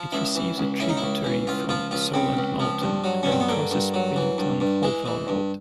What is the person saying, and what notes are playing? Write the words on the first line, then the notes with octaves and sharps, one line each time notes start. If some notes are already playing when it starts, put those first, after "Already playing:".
It receives a tributary from Sourland Mountain, and crosses Pennington-Hopewell Road.
Already playing: F3
C#2 E4
E3
C#2
C#3 E4
D#4
E4
C#2
E3
C#2 F4
F3 F4
C#2 F4
C#3 C4
C#2
F3
G2
F#3
G2 C#4
C4
B3
D3 A#3
G2
F#3
E3
G2
G2
E3 G#3
E3
G2